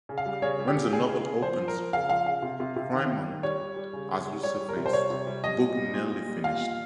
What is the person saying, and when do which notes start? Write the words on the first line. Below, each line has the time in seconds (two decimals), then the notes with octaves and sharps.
When the novel opens, Crimond has resurfaced, book nearly finished.
0.09 C#3
0.18 F5
0.26 G3
0.42 C#3 C#5
0.59 G3
0.67 G4
0.76 C#3
0.93 C#3 G#4
1.09 C#3
1.25 C#3
1.42 F3 C5
1.59 F3
1.68 A#4
1.76 F3
1.93 C#3 F5
2.09 F3 F5
2.26 C#3 F5
2.43 C3
2.60 C3
2.76 C3
2.93 D#3
3.10 D#3
3.27 D#3
3.43 G3 C#5
3.60 G3
3.76 G3
3.93 C#3
4.10 C#3
4.27 G3
4.43 G3 C#5
4.60 G3
4.69 A#4
4.77 C3
4.86 C5
4.93 G3 C#5
5.10 C3
5.27 G3
5.44 G3 D#5
5.60 A#2
5.77 G3
5.94 A#2
6.11 A#2
6.28 G3
6.44 A#2 F5
6.61 A#2